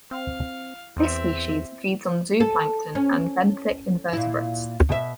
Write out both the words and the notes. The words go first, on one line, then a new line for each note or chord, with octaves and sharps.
This species feeds on zooplankton and benthic invertebrates.
C4 F5
E2 C4 E5
A4
C#4
A#2 E4
B2 E5